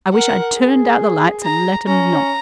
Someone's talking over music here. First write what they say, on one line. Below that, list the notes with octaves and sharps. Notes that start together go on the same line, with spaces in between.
I wish I'd turned out the lights and let 'em knock.
A#4 F#5
G#4
A#5
C#4 A#5